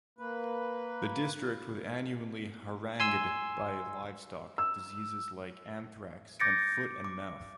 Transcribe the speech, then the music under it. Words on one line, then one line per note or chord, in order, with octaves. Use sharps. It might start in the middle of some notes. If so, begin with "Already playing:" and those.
The district with annually harangued by livestock diseases like anthrax and foot and mouth.
A#3 B4
G#5 C6 E6
E6
D6 G6 A6 A#6 C#7 D7
D6